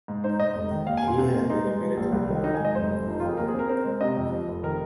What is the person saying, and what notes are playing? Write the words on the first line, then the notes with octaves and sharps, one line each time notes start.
He had been admitted to the bar the month before.
G#2
D#4 C5
G#2 D#5
F1
D#3
D#2 F5
G#5
F1
C6
C3
A#3
D#4 C6
G#3
F3
A#1
C2
D#3
D#4 A#5
G#5
G#2
D#5
F1 C5
F1
F3 D#4
F2 F4
G#4
D#2 A#4
G#4
C4 A#4
C4 A#4
G#3
C3 D#5
F2
F3
F1
D#3 A#4